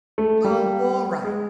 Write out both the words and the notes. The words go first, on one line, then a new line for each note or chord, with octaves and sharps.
Oh, all right.
A3
G3
G#3